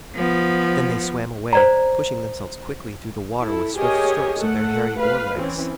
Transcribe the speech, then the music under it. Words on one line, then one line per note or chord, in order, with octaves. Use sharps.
Then they swam away, pushing themselves quickly through the water with swift strokes of their hairy oar-legs.
F3 B3
C5 D5 A#5
E4 A4
G4 G#4 A#4 C#5 D#5 G#5
A3 A4 F#5
B4 F5
E3 C4 C#4